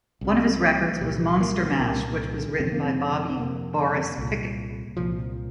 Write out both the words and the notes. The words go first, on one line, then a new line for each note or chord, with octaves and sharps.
One of his records was "Monster Mash", which was written by Bobby "Boris" Pickett.
C2 C3
C2 A#2 G3
A#3
F3
G3
C2 A#2 A#3
F2 C3 C4
A#3
C4
C4
F2 C3 A#3
C2 A#2
C2 A#2 F3